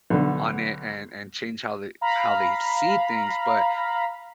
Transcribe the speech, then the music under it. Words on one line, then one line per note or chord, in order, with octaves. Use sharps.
on it, and and change how they how they see things, but
B1 D3
F5 A#5 B5